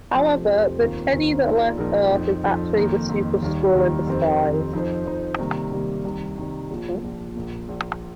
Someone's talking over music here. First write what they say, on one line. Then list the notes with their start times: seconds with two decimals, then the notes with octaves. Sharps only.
However, the "Teddy" that left Earth is actually the Super-Skrull in disguise.
0.13 F1 F2 F3 C4 G4
0.47 F1 F2 F3 C4 G4
0.79 D#2 D#3 C4 F4 A#4
1.12 D#2 D#3 C4 F4 A#4
1.45 A#1 A#2 F3 D#4 A#4
1.78 A#1 A#2 F3 D#4 A#4
2.11 F2 F3 D#4
2.44 F2 F3 D#4
2.76 F2 D#3 A#3 D#4
3.09 F2 D#3 A#3 D#4
3.42 D#2 D#3 G3
3.75 D#2 D#3 G3
4.07 F2 D#3 C4 G4
4.40 F2 D#3 C4 G4
4.73 F2 F3 D#4 C5
5.06 F2 F3 D#4 C5
5.38 C3 D#3 G3 A#3
5.71 C3 D#3 G3 A#3
6.04 C2 C3 D#3
6.37 C2 C3 D#3
6.70 A#1 A#2 F3
7.03 A#1 A#2 F3
7.36 A#1 A#2 A#3
7.68 A#1 A#2 A#3